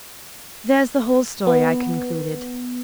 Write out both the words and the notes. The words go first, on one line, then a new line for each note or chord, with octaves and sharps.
"There's the whole story," I concluded.
B3